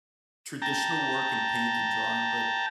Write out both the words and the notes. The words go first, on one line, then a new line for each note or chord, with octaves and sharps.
traditional work and paint and drawing, but
G5 A5 A#5